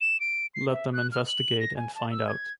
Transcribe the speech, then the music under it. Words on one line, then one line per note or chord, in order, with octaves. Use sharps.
Let them investigate and find out.
E7
D7
C7
E5
F#6
F6
F#7
A#6
G#5
A5
E6
G#6